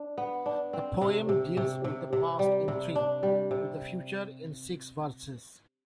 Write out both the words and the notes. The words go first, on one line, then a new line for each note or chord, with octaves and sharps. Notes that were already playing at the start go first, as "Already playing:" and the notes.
The poem deals with the past in three, with the future in six verses.
Already playing: D4
B3
D4
C4
C3
C3
C3
C3
C3
G3
C3
D4
G3
C3